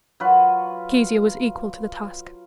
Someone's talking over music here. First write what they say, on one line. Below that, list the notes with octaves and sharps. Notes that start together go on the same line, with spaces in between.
Kezia was equal to the task.
F#3 F4 B4 C#6